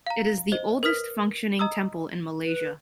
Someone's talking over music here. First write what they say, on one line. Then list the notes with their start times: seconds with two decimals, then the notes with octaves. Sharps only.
It is the oldest functioning temple in Malaysia.
0.07 F5 A#5
0.52 C5 D#5
0.83 A#4 B4 D#6 F6 B6 F7
1.59 D#5 A#5 D#6 E6
2.45 B4